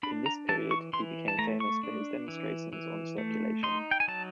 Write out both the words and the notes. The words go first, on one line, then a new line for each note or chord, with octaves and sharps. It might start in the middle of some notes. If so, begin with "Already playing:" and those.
In this period he became famous for his demonstrations on circulation.
D4 B5
A#5
E3 A5
C#6
E3 C6
A5
A3 A#5
C#6
D4
E3
E3
A3
D#4 C6
G5
G#5
F#3 A5